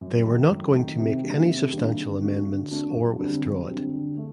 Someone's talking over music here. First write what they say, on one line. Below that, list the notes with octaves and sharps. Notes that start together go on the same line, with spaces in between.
They were not going to make any substantial amendments or withdraw it.
F#2
D#3 A3 D#4
F#2
D#3 A3 D#4
C3
D#3 G3 A#3 D4
C3
D#3 G3 A#3 D4
D3
A3 D4 F#4
D3
A3 D4 F#4
F#2
D3 G3 C4
F#2
D3 G3 C4
D3
A3